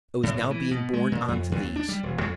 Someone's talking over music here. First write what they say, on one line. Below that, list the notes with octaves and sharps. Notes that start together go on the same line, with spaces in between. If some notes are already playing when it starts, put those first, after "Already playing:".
I was now being borne on to these.
A2
A2
E3
B2
G#3
A#2
F2
D#2
D4
G3
E1
F2